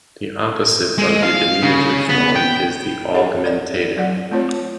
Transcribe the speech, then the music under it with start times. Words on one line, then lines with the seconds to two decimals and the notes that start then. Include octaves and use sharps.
The opposite of the diminutive form is the augmentative.
0.98 G#3
1.23 F5
1.63 C#3
2.09 B3
2.36 G5
3.14 G#4 C#5 E5 F#5
3.46 D5
3.97 F#3 D5 F#5
4.31 A3 C4 F4 C#5